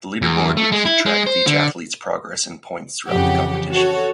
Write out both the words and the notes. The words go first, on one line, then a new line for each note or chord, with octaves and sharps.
The Leaderboard would keep track of each athletes progress in points throughout the competition.
E2
A3
G#3
E4
G#3
C5
D3
F2 C#3 E3 G4 F#5
F#4 A4 C#5